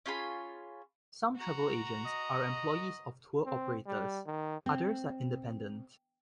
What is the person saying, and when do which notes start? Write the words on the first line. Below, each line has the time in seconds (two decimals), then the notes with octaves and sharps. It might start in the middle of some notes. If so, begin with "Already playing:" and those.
Some travel agents are employees of tour operators, others are independent.
0.06 C#4 F4 G#4 B5
1.36 F#4 A#5
2.06 D#5
3.46 C4
3.87 G3
4.26 D#3
4.66 C4